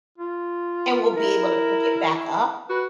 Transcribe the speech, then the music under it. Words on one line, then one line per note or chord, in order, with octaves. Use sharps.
and we'll be able to pick it back up.
F4
E4 A#4
F#4 B4